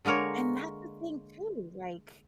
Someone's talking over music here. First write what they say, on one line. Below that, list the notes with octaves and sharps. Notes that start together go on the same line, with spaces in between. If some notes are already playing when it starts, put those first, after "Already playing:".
And that's the thing, too, like,
D3 G#3 A#3 A#4 C#5